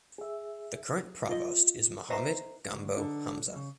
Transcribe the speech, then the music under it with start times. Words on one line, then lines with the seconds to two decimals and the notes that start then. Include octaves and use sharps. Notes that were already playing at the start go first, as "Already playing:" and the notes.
The current Provost is Mohammed Gambo Hamza.
0.18 G#4 E5
1.29 F4 D#5
2.10 B4 C5 D#5 E5 A#5
2.72 D2
2.97 D3 D#4
3.55 C#3